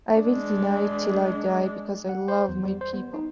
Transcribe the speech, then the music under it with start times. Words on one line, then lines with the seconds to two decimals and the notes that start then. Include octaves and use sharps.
I will deny it till I die because I love my people.
0.16 G#3 D4
2.09 F#5
2.28 C5
2.49 E2
2.65 G3
2.81 C5
2.93 B3
3.14 D#4